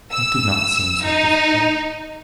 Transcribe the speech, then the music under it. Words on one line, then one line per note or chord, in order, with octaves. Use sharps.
It did not seem so difficult.
E6
D#4